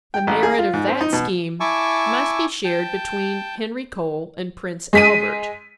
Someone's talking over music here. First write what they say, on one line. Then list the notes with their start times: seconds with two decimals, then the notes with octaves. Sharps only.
The merit of that scheme must be shared between Henry Cole and Prince Albert.
0.14 G5
0.27 A1
0.43 G#4
0.59 F4
0.73 G#2
0.88 C4
1.01 D#4
1.13 B2
1.60 E4 G#5 A5 C#6 D6 E6
2.65 G5 A5
4.93 G#3 B6 D#7